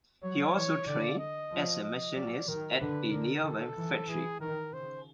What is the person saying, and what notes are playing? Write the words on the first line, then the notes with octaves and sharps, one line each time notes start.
He also trained as a machinist at a nearby factory.
F#3 C#5
E3 C#5
D3 D5
D#5
F3
D#5
F#3 D5
D#3 A#4
D3 B4
D3 A#4
D#3 A4
E3
E3 G#4
D#3 A#4
C#3 C5